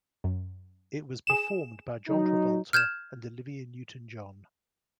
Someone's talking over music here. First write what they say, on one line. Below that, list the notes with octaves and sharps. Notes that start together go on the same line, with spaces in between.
It was performed by John Travolta and Olivia Newton-John.
F#2
G#4 E7
F#3 D#4
F6 G6 G#6 E7